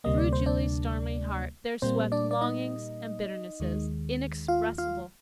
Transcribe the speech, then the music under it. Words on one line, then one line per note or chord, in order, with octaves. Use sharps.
Through Julie's stormy heart there swept longings and bitternesses inexpressible.
D2 C3 G3 A#3 D#5
D5
C5
D4 D5
A#2 G3 A#3 C4 C5
D4 D5
D5
D#4 D#5
D#2 D#3 G#3
F4 F5
F4 F5